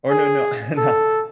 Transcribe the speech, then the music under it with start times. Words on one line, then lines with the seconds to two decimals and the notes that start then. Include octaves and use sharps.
Or, no, no, no,
0.11 G#4
0.77 A4